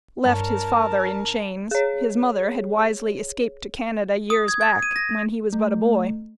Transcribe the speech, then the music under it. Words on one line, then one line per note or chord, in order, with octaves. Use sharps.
Left his father in chains; his mother had wisely escaped to Canada years back, when he was but a boy.
G2 A#4 C#5 A5
G#4 C#5
D#6
G#6
G#6
D#7
A#6
A3